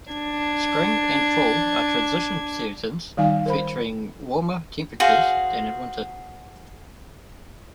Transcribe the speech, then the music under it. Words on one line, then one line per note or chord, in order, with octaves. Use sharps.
Spring and fall are transition seasons featuring warmer temperatures than in winter.
D4 G#6
D#3 G3 D#4 F5 G#5
A#4 C5 B5
F#4 G#4 C5 F5